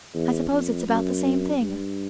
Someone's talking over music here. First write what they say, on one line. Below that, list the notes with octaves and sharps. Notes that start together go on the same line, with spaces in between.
I suppose it's about the same thing.
E2
F2
F#2
G2